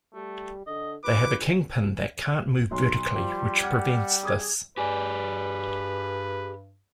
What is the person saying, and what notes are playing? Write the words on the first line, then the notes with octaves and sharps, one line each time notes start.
They have a kingpin that can't move vertically which prevents this.
G3 A3
D3 D#5
G#1 B4 D6
B1 C6
F3 G3
F#5 D6 F6 G#6
G#4 D6 D#6 G#6
G2 G4 G#4 B4 D5 G#5